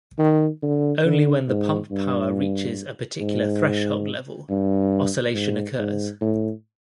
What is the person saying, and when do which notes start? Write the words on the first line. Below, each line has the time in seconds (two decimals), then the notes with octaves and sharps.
Only when the pump power reaches a particular threshold level, oscillation occurs.
0.19 D#3
0.63 D3
1.05 D3
1.48 G#2
1.91 G2
3.21 G#2
4.50 G2
5.35 G#2
5.79 G#2
6.21 A2